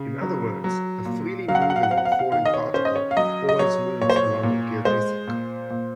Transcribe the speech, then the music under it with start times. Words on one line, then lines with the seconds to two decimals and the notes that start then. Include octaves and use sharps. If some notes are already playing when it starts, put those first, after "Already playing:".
In other words, a freely moving or falling particle always moves along a geodesic.
Already playing: C#3
0.21 F#3
0.64 F#3
1.05 A#2
1.48 F#3 F5
1.55 F#5
1.62 F5
1.70 F#5
1.76 F5
1.83 F#5
1.90 C4 F5
1.98 F#5
2.05 F5
2.12 F#5
2.19 F5
2.32 D#3 F5
2.45 D#5
2.54 C#5
2.74 C#4 C5
2.85 D#5
2.96 C#5
3.11 F5
3.17 F#3 D#5
3.49 D#5
3.59 F#3 C#5
4.02 A#2 C#5
4.10 C5
4.16 C#5
4.43 A#2
4.85 G#3 C5
5.27 A#2
5.70 A#2